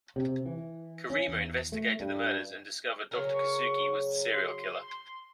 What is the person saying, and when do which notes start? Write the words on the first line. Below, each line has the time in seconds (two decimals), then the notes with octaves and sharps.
Kirima investigated the murders, and discovered Doctor Kisugi was the serial killer.
0.16 C3
0.46 E3
1.10 C#4
1.28 E2
1.72 A3
2.00 G2
3.11 C#3 F#3 A#4
3.33 C#6
4.33 C6